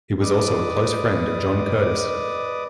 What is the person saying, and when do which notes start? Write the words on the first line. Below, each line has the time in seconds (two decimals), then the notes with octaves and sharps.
He was also a close friend of John Curtis.
0.21 B4 D5 D#5 D6 D#6